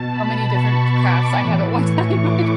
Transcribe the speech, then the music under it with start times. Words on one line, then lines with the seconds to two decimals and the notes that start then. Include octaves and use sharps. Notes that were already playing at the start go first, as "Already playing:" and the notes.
how many different crafts I have at one time,
Already playing: B2 A5
0.11 B5
0.54 C#6
0.95 D6
1.38 A2 E3
1.80 C#6
2.22 D6